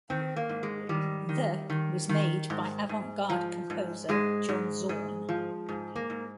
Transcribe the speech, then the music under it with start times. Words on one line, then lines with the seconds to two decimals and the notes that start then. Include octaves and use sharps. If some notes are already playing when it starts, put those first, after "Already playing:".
The was made by the avant-garde composer John Zorn.
0.10 D#3 C4
0.36 A#3
0.49 G#2
0.63 G#3
0.89 D#3 G3
1.29 D#3
1.70 D#3
2.09 D#3
2.50 G#2
2.89 G#2
3.30 F3
3.70 G#2
4.09 G#2 G#3
4.49 G#2
4.89 G#2
5.29 F3
5.69 G#2
5.96 A#3
6.10 G#2